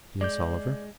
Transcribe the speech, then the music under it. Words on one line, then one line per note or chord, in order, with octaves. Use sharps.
"Yes, Oliver?"
G#3 D5 D6 G6